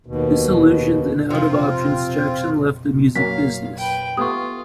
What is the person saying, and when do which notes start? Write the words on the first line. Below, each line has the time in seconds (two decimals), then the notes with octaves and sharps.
Disillusioned and out of options, Jackson left the music business.
0.06 D#2 B2
1.30 C3 F3 C4 F4
3.16 F#3 A#3 C#4 F5 B6
3.77 B4 G5
4.17 A3 B3 F4 G4 C#6 D#6